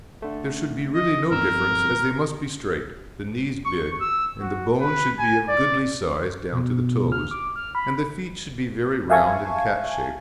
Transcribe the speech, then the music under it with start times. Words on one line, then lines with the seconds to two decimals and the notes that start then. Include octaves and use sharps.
There should be really no difference, as they must be straight, the knees big, and the bone should be of goodly size down to the toes, and the feet should be very round and cat-shaped.
0.22 D3 A3
0.95 D#5
1.31 G1 F2 A#4 E6
3.65 C#6
4.00 E6
4.41 F#4
4.80 B4
5.19 G#5
5.48 D5
6.52 B2
7.12 F6
7.31 D6
7.56 F6
7.75 B5
9.10 E5 F5 G#5 A5 C#6 G#6